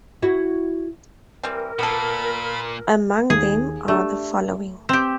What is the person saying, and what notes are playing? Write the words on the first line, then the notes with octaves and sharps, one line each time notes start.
Among them are the following.
E4 F#4
E3 G3 C4 A#4
A#2 B3 A4 B5
D#2 G#4
A3 D4 G4
C4 G4 E7